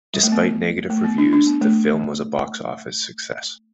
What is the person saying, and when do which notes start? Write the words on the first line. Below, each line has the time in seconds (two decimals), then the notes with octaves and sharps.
Despite negative reviews, the film was a box office success.
0.14 G3
0.23 A3
0.32 B3
0.90 A3
1.04 B3
1.18 D4
1.33 D4
1.47 B3
1.61 A3